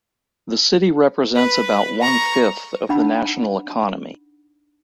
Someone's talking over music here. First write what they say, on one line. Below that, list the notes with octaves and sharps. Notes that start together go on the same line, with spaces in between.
The city represents about one fifth of the national economy.
B4
A#5 C#6
D4 D#4 F#5 B5